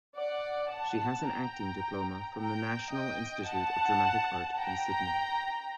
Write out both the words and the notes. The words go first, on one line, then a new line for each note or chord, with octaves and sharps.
She has an acting diploma from the National Institute of Dramatic Art in Sydney.
D5 F#5
F#5 A5
G5 A#5
G5 A#5
D#5 G5
F#5 A5
G5 A#5